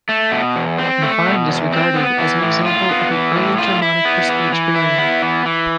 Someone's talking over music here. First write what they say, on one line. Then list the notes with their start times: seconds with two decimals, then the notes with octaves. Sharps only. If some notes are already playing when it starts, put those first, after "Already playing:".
The find is regarded as an example of an early Germanic prestige burial.
0.09 A3
0.31 B2
0.56 E2
0.78 C4
1.02 A3
1.26 B2
1.49 E2
1.72 C4
1.95 B3
2.18 E3
2.43 A2
2.66 F4
2.89 B3
3.12 E3
3.36 A2
3.58 F4
3.82 E4
4.05 B3
4.29 E3
4.52 E3
4.76 E4
4.98 B3
5.22 E3
5.46 E3